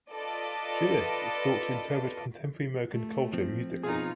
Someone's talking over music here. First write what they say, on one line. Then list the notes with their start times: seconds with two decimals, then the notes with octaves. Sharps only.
Gillis sought to interpret contemporary American culture musically.
0.11 F4 A4 B4 D5 D#5
2.92 A3
3.33 F3 C4
3.84 B2 D#4 F4 G#4